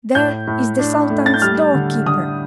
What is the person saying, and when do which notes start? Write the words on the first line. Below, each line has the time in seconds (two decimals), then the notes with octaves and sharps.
'There is the Sultan's door-keeper!
0.15 A2 G6
0.47 A2
0.79 D4
1.10 A3
1.26 A6
1.34 G6
1.42 G3 F6
1.74 D3
2.06 D3 D#6